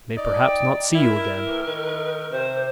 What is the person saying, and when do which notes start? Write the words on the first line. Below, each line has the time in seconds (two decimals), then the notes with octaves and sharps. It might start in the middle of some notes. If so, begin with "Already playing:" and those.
"I may perhaps not see you again..."
0.17 D#4 D5
0.40 G5
0.94 E4 A#4
1.46 A2 E3
1.66 D#3
2.31 C3 C5